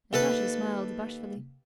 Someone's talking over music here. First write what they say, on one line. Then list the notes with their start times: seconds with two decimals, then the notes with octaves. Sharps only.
Natasha smiled bashfully.
0.13 D#2 A4 B4 A5